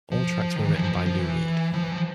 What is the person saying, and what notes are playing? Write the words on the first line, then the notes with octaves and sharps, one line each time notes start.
All tracks were written by Lou Reed.
F3
D#3
E3
F3
F3
F3
E3
F3
E3
F3